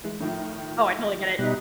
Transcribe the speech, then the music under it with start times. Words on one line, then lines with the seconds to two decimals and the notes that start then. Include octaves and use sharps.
Oh, I totally get it.
0.04 E3 G#3
0.20 A2 D#3 F3
1.39 B2 G3 D#4 E5 F#6